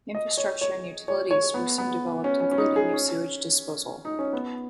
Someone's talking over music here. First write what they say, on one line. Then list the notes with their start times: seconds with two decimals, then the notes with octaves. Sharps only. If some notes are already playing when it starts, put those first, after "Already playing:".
Infrastructure and utilities were soon developed including new sewage disposal.
0.15 D#5
0.38 C#5
0.61 C#5
1.08 C#5
1.31 C#5
1.54 B3
1.78 B3
2.24 C#4
2.40 C#4
2.52 C#4
2.58 D#4
2.76 G#4
2.93 C#4
4.05 D#4
4.19 C#4
4.33 B3